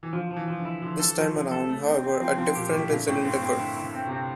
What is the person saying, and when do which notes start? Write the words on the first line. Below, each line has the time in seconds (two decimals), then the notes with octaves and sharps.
This time around, however, a different incident occurred.
0.03 E3
0.13 D3 F3
0.31 F3
0.36 E3
0.48 F3
0.60 D3
0.65 E4
0.82 D3 F3
1.00 A4
1.17 F3
1.35 F3
1.52 A4
1.69 A3
1.86 C4
2.04 C4
2.21 F3 C4
2.38 F3 C4
2.55 A#2 G4
2.72 A2 E4
2.90 A#2 D3
3.07 A2 C4
3.25 G2 C4
3.42 A2 C4
3.59 D3 E4
3.77 E4
3.83 D3
3.94 C4
4.06 C3
4.11 C4